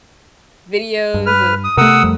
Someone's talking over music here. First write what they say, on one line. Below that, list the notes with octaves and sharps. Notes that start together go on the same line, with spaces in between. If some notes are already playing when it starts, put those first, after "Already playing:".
videos of
G2
B4 F6
D#6
C3 A3 B3 A#4 F#5 D#6 E6
F2 F3 G3